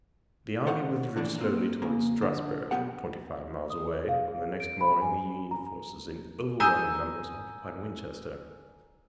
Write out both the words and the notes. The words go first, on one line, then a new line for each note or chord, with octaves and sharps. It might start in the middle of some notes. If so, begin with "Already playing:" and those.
The army withdrew slowly toward Strasburg, twenty-five miles away, and the next morning the Union forces in overwhelming numbers occupied Winchester.
A4 C5 C#5 F5 F#5
G2 D3 E3 D4
A#3 C4
C#3 A#3
D3
B1 G2 B2 B3 G4 F#5
D#6
G#4
F5
G#4
D7
B5
G#5
A#5
G#5 A#5 D#6 E6 G6 D#7